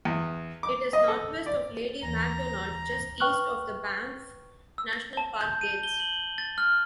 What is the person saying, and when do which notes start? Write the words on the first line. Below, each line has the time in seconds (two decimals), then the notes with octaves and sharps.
It is northwest of Lady Macdonald, just east of the Banff National Park gates.
0.05 E2
0.63 D6
0.93 D#5
1.08 A4
1.46 D5
2.02 D#2 E3 A#5
3.20 B4 G5 C#6 F6 F#6 F#7
4.78 E6
5.17 A5
5.41 G6
5.61 D#7
5.83 G7
6.00 F#7
6.38 A6
6.58 F6